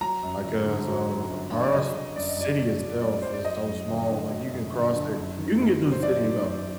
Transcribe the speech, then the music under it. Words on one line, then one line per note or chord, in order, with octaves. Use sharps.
like, 'cause, um, our c city itself is so small, like, you can cross it you can get through the city in about,
F#3 A#5
F#2
G1
D3
F#3
F#2
G1
D3
D5
F#3 D#5
F#3
F#2 D5
D#5
F#2 D5
F#3 D5
F#3
F#2 D5
F#2 C5
D5
F#3 D#5
F#2
G1
D3
F#3
F#2
G1
D3
F#2
D#3
F#2
F#3
C5
F#2 D5
D#3
F#2